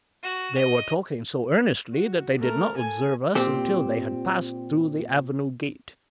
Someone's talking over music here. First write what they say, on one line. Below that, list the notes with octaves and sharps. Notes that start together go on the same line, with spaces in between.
They were talking so earnestly that they did not observe us until they had passed through the avenue gate.
F#4
D#5
F#4
A3 A#4
A4 G#5
A#2 C4 G4